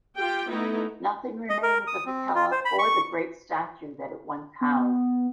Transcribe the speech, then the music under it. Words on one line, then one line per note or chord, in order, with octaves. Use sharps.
Nothing remains of the cella or the great statue that it once housed.
F4 G4 G5
A3 B3 D#4 E4
D#5
A#4
D#6
C4
F4
C5
B5
C#6
B3